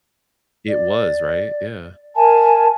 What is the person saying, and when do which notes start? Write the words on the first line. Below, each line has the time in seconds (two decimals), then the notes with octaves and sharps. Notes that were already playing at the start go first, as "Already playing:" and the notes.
It was, right? Yeah.
0.67 D5
2.16 A#4 E5 G#5 A5